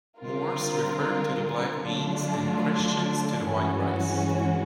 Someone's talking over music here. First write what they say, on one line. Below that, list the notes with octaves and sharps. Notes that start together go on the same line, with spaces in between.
"Moors" refers to the black beans, and "Christians" to the white rice.
D3 G3 C4 F4 A#4
D3 F#3 A3 D4 F4
G2 E3 G#3 C#4 F#4